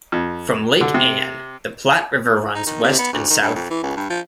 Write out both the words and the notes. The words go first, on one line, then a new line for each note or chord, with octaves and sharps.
From Lake Ann, the Platte River runs west and south.
F2
D3
C3
D#4
D#3
C3
B3
D2
D#3
G2
F2
E3
C#2
G2
F3